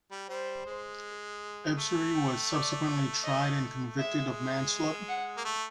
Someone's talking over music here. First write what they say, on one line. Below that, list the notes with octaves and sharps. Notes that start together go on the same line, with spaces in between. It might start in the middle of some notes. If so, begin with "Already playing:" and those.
Ebsary was subsequently tried and convicted of manslaughter.
G3
G3 C5
G#3
A3
G5
D5
D#5
G#3 E5
F#5
A#3
A3